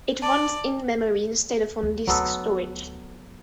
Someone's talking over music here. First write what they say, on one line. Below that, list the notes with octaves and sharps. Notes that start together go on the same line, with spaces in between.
It runs in-memory, instead of on disk storage.
D5 A5 D6
D#2
D2 F#3 B3 A4